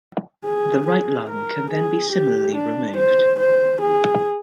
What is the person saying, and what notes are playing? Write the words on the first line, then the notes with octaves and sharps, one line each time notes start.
The right lung can then be similarly removed.
G#4
G#4
A#4
G#4
G4
D4
C5
C5
G#4